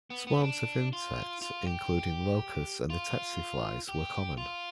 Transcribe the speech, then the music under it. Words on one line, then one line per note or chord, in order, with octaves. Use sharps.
Swarms of insects, including locusts and the-tse flies, were common.
B3
B3
D4
F4
F4
G4
F4
G4
F4